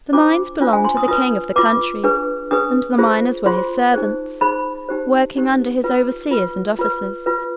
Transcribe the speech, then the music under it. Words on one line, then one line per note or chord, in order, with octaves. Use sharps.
The mines belonged to the king of the country, and the miners were his servants, working under his overseers and officers.
D4 F4 C5 D6
D4 F4 C5
G#5
C6
D#6
F4 B4 D#6
F4 B4 D6
D4 G#4 B4
D4 G#4 B4 D#6
F4 G#4 C5
F4 G#4 C5 C6
D#4 G#4 C5
D#4 G#4 C5 B5
D#4 G4 C5
D#4 G4 C5
F4 B4
F4 B4
F4 B4
F4 B4